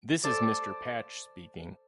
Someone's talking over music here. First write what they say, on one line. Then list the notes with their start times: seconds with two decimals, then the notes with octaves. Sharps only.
This is Mr. Patch speaking.
0.23 A4 C5 D5